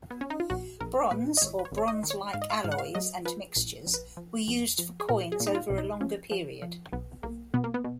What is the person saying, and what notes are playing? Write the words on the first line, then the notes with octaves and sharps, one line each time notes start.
Bronze, or bronze-like alloys and mixtures, were used for coins over a longer period.
B3
C#4
D#4
F4
A#1 F#4
A#1 A#4
A#2 B4
D#5
G#1 C#5
B4
C#5
G#1
C#5
D#5
D#3
C#5
G#2 F5
D#5
F5
G#2 F5
F#5
F5
F#3 D#5
F3 B4
A#1
A#1
B4
F3
F2
F3
G#4
A#2 A#4
G#4
A#2
D#4
F4
B1
D#4
F3 C#4
F3
F3
B1 B3
B1 A#3
B2 B3
A#3
B3
B2